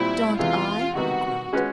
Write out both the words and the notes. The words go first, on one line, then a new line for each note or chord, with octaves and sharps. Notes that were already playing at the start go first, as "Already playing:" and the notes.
"Don't I?" he growled.
Already playing: A#2 G3 C4 E4 F4
E2 C3 E3 G#3 F4
C3 D#3 G3 B3 F#4
G#3 C#4 F#4 B4